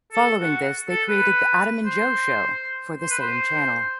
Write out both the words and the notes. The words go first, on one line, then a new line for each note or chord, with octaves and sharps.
Following this they created "The Adam and Joe Show" for the same channel.
A4
F#4
A4
B4
C5
C5
B4
C5